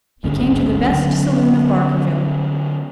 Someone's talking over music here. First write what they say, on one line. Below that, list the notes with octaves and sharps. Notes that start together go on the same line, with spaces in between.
He came to the best saloon of Barkerville.
G#1 D2 G2 C#3
D3 F#3 B3 C#4